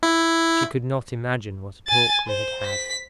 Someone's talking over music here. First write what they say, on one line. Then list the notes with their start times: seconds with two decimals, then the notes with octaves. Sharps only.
She could not imagine what a talk we had had.
0.03 E4
1.87 G#5 A6
2.27 C5
2.65 B6